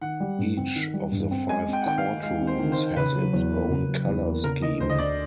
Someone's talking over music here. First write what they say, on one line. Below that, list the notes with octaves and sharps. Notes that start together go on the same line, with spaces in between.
Each of the five court rooms has its own color scheme.
D#3 F#5
G3
G2
C4
D#3
G3
G2
C4
G#3 G#5
C4
G5
F#5
D#3 G5
F5
D#4
G#3 F5
C4
C5
D#3
C5
D#4
C#3 B4
F#3
E2
A#3
C#3
F#3
E2
A#3
C#3 A#4
E3 D#5
D2 C5
D#5
D2 D5